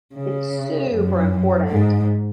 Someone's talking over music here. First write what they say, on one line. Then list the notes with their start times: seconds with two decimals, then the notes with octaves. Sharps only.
it's super important
0.15 C#3
0.91 F#2
1.69 G#2